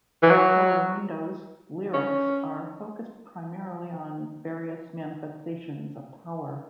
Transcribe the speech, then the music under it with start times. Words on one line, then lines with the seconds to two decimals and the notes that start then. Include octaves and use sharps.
"Power Windows" lyrics are focused primarily on various manifestations of power.
0.23 E3
0.30 F#3
1.94 C#4